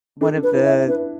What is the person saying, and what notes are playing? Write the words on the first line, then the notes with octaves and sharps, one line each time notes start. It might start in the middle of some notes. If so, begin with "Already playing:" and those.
one of the,
D4 A4
D4
B4
E4
E5
E4
D4 B4